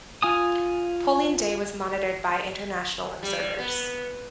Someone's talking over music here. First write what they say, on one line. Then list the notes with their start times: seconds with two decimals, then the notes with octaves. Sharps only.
Polling day was monitored by international observers.
0.22 F4 G#5 D#6
3.23 G3
3.59 B3